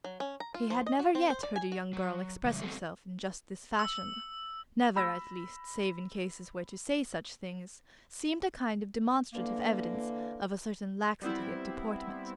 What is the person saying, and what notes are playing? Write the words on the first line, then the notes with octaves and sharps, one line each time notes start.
He had never yet heard a young girl express herself in just this fashion; never, at least, save in cases where to say such things seemed a kind of demonstrative evidence of a certain laxity of deportment.
F#3
C#4
A#5
F4
F3
D#5
F#4
C4
C5
D5
G#5
F#4
F#3
C#3 E3 G3
G3 B3 C4 G#4 A4
E6
B5 E6 A#6
D3 E3 A#3
G3 B3 C4 E4